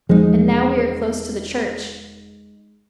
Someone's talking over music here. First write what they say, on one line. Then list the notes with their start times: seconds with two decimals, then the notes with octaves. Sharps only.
And now we are close to the church.
0.09 E1 F3 G#3 D#4